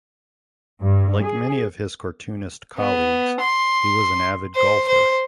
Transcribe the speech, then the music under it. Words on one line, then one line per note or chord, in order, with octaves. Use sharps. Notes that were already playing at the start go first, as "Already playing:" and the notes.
Like many of his cartoonist colleagues, he was an avid golfer.
G2
G#4
B3
C6
C5
C5